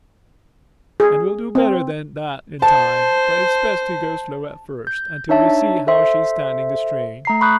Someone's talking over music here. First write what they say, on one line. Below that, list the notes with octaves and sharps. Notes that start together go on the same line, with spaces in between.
And we'll do better than that in time, but it's best to go slow at first, until we see how she is standing the strain.
G#4
C4
C5 A5
G6
D4 D#4 C#5 E5 A5
A4 C5 E5 C6
A3 A#5 C7
B5 C#6 D#6 F#6 G6